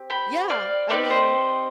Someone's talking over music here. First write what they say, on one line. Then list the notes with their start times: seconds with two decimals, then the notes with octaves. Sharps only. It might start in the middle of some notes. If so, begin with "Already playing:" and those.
Yeah! I mean,
Already playing: C4 G4
0.10 G5 B5
0.50 D5 F5
0.90 C4 D#4 G4 B4 D5
1.10 C5 D#5